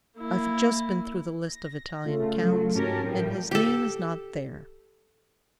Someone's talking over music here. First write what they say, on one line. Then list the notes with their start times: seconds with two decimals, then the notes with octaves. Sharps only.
I've just been through the list of Italian counts, and his name is not there.
0.17 A#3 E4
1.48 A#6
2.05 C#3 A3 F4 A4
2.36 F#3
2.75 G#2 C#4 F#4 G4 A#4 A5
3.04 A2 F3 G3 A#4 G5
3.51 G4 A4